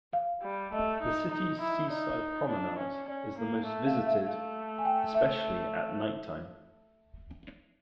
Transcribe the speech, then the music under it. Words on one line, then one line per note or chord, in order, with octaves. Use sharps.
The city's seaside promenade is the most visited, especially at night-time.
F5
G3
A3 D#5
D#4
D#4 D#5
E4
D#4 D5
D4
C#4
C#4 D5
A#3
A3
F5
F5
E5
A3 F5
G#5
G5
E5